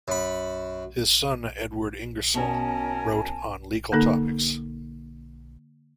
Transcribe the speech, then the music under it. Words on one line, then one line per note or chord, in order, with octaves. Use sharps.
His son Edward Ingersoll wrote on legal topics.
F#2 B5
B2 C#4 A#4 G#5 A5
D3 A#3 D#4 A4